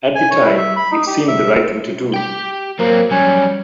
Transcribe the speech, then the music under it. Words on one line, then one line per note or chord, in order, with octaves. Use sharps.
At the time, it seemed the right thing to do.
G#5
C#5
E4
E5
B5
D#4
G4
E5
G4 G5
F#3 A#3 C4
F#3 G3 C#4